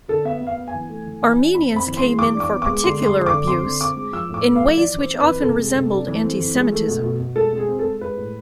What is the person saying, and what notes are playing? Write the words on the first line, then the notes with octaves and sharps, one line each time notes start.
Armenians came in for particular abuse in ways which often resembled anti-Semitism.
D3 A4
B3 E5
B3
F5
B3
G#5
E3
A3
E3
E3
D4
C4 B5
C4
B5
E3
C6
G#3
E3 D6
D4
D6
B3
G#3 D6
D3 C6
G#3 C6
D3
D6
D3
C4 C6
D3
C4 D6
G#3
F3 E6
A2 D6
A3
F3 F5
E3 D5
E3
C5
C4
E3 B4
C3 A4
G#3
C3
D4
E3
C4
E3
G#3
A3
B2
B2
B2
G#3 A4
G#3 G#4
C4
G#3 A4
G#3 B4
A2